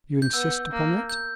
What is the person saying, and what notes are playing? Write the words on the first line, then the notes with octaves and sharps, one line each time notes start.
"You insist upon it?"
G6
B3 E6
A#3
G6